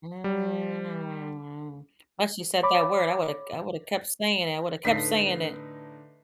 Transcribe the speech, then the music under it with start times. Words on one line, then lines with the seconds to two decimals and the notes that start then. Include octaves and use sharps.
Mm. Plus you said that word, I woulda k I woulda kept saying it. I woulda kept saying it
0.24 G3
2.63 C#5 B5 D6
4.85 A2 D3 D#4 B4 B6 C7